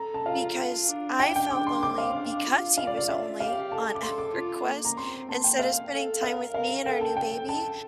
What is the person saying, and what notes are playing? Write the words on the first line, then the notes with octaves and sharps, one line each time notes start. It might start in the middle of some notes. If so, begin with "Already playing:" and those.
because I felt lonely because he was only on EverQuest instead of spending time with me and our new baby,
Already playing: A4 A#5
A5
F4 F5
D4
G5
G5
D4 D6
C6
C4 D6
F5
D4
F4
F5
D5
D5
E5
G4 F5
A4 A5
D6
A4 C6
D6
F4
A#3
A#5
C4 C6
A#3 A5
G5
F5
A4
A#4 F5
A#4 F5
A4 G5
A5
A4 G5
A4 A5